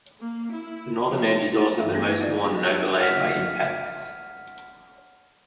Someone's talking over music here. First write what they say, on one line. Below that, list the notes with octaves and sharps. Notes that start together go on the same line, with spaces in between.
The northern edge is also the most worn and overlain by impacts.
A#3
E4
F3
A6
G2 E3 E5 F5
A3 B3 G#4 A4
D#4 E4 A#4 B4
G#3 A#3 D#4 F4 D5
F#5 F6 B6